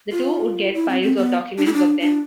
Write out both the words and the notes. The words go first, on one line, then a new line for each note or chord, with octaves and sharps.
The two would get "piles of documents" of them.
F4
E4
C4
C4
B3
D4
E4
D4
D4